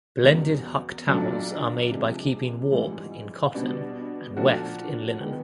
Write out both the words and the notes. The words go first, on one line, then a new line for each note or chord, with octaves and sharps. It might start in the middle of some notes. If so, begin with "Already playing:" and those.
Blended Huck towels are made by keeping warp in cotton and weft in linen.
E2 B2 G3 A#3 C#4
B1 A#2 F#3 A3 D4
C3 F3 G#3
A#1 G#2 E3 G3
B2 G3 B3 D4
A#2 F3 A3 D4 F#4
D#3 G#3 B3